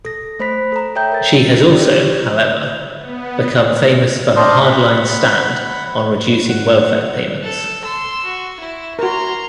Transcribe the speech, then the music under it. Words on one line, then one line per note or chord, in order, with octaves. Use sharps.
She has also, however, become famous for her hardline stand on reducing welfare payments.
A4 A#6
A3 C5 B5 B6
A4 A#5
A4 C#5 E5 G5 A#5 G6
A#4 A6
G4 D5
B3
D4 C5 D5 D#5 C6 F6
F#5 B5
F#5
A4
C6 E6
F#4
E4
F#4 A#4 A#5 C6